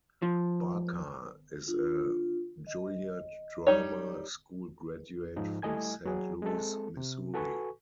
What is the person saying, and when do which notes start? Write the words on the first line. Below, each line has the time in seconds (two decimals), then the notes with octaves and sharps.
Barker is a Juilliard Drama School graduate from Saint Louis, Missouri.
0.22 F3
1.68 D4 F4
2.67 D#5
3.67 G3 D#4 C#5
5.37 G#2 F3 D#4
5.62 G3 A3 E4 D#5 G#5 G#6
6.06 F#3 G#4
6.42 G#3 C4 A4
6.97 C3
7.34 F#4 A4 B4 G#5 C#6